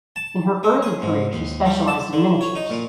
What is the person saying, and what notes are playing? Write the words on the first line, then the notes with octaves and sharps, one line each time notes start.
In her early career she specialized in miniatures.
A5
G#3
G#4
G#2
D#2
G3
A5
D3
C#5
D#4
A#2